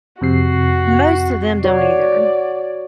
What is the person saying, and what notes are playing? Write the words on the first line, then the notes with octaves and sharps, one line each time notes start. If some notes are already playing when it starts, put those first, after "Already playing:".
Most of them don't either.
F2 C3 F#4 C7
F#4 C#5 D5